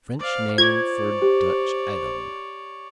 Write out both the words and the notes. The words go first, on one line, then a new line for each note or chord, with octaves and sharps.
French name for Dutch Edam.
C5 D5 F5
F4 C#5 D5 G#6
G4